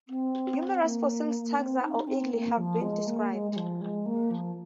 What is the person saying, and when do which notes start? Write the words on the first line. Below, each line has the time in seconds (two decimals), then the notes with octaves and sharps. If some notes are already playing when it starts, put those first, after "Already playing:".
Numerous fossil taxa of eagles have been described.
0.08 C4
0.82 A#3
1.57 C4
1.82 D#4
2.07 C4
2.32 A#3
2.57 F3
2.81 G#3
3.07 A#3
3.31 G#3
3.51 G#3
3.56 F3
3.81 G#3
4.06 A#3
4.31 F3